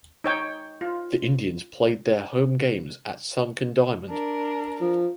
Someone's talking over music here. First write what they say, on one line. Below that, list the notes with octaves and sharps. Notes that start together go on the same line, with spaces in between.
The Indians played their home games at Sunken Diamond.
D#4 C#5 G5
F4
D4 A#4
F3